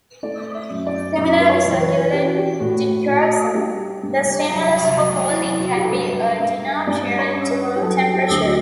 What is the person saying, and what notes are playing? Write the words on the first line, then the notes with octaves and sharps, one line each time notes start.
Similar to circular dichroism, the stimulus for folding can be a denaturant or temperature.
A3 D5
E5
F#2
D5
F#2 E5
B4
C#5
E3
C#5
B4
C#4 G4
F#4
G4
A2 F#4
A2 F#4
G3 G4
G2
F#3
F#3 F#4
E4
F#3
E4
F#4
G4
A4
G2 B4
G2 E5
G2 D5
C#5
C#4
B4
G4
F#3 A4
G4
A4
D2 G4
F#4